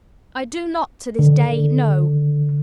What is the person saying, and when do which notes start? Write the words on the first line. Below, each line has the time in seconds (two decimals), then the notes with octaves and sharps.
I do not to this day know.
1.19 D3